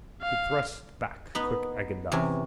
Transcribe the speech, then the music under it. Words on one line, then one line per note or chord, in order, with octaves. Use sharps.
He thrust back quick Agendath.
F5
B3 D#4 B4
E2 C3 C#4